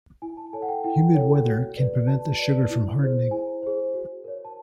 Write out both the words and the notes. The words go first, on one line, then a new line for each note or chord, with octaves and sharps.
Humid weather can prevent the sugar from hardening.
E4 G#5
A5
A4 C#5 G#5
F#5
G5
E4 G5
A4 C#5
F#4
B4 D5
F#4 A5
B4 D5
E4
G#4 C5
E4 G#5
G#4 C5
F#4
A#4 C#5
A5